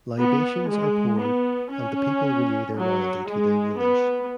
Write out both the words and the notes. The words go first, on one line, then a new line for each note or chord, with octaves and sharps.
Libations are poured and the people renew their loyalty to their rulers.
B3
G#3
B3
C#4
F#3
G#3
B3